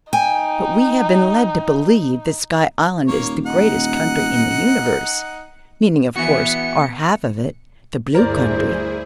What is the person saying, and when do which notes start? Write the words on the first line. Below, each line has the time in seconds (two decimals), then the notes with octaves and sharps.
"But we have been led to believe that Sky Island is the greatest country in the universe--meaning, of course, our half of it, the Blue Country."
0.13 D#4 G5 G#5
3.08 D#1 A#3 C#5
3.46 D#4 F#5
6.16 E3 B3 F#4 C#7
8.15 D2 G2 E4 G#4 A#4 C5 D5